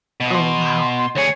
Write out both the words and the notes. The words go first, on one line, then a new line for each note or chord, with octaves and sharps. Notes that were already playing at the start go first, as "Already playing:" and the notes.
Oh, wow.
B2
C6
D2 G#4 C#5